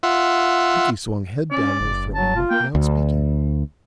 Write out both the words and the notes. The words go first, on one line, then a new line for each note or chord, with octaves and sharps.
Binkie swung head downward for a moment without speaking.
F4 E5 F#5
C#4 D5
F#1
F#3 A5
F4
A#3 G5
D2